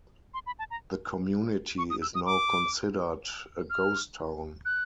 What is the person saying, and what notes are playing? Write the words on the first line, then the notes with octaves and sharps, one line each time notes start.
The community is now considered a ghost town.
C6
B5
A5
A#5
C#6
D#6
E6
D#6
D6
F6
F#6